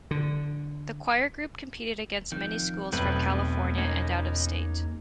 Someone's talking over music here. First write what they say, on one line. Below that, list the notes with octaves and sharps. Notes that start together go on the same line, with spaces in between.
The choir group competed against many schools from California and out of state.
D3
F2 D#3
B1 E2 A3 C4 B4
A#3 C#4 D#4